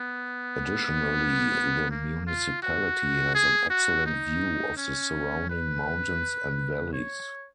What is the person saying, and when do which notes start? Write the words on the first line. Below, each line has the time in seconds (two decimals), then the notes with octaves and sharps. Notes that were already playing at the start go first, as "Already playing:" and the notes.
Additionally, the municipality has an excellent view of the surrounding mountains and valleys.
Already playing: B3
1.91 A#3
2.27 F4
2.63 F#4
3.34 G#4
3.70 F#4
4.06 D#4
4.77 C#4
5.50 B4
6.93 C#5